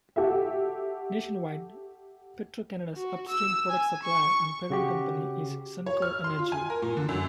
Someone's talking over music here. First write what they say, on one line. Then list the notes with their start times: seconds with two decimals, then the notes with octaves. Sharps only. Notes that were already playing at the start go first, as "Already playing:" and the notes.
Nationwide, Petro-Canada's upstream product supplier and parent company is Suncor Energy.
0.16 F#4 G4 A4 E5
2.96 F#4
3.29 E6
3.70 G#5
4.03 C#6
4.70 C#3 F#4 G4
5.86 C#5
6.02 F6
6.24 C6
6.39 F4
6.52 G#5
6.70 A#4
6.82 A#2
6.97 D3
7.09 F#2